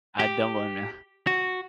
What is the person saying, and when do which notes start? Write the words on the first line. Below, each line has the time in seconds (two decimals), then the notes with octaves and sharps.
I don't wanna.
0.20 G4
1.27 F#4